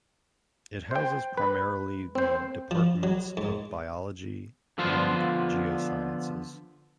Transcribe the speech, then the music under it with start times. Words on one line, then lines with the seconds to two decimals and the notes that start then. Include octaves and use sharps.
It houses primarily the departments of biology and geosciences.
0.91 C5 G5
1.37 B4
2.15 C4 C5
2.71 F3
3.03 F#3
3.37 G#2
4.78 D3 F3 B3 F4 C5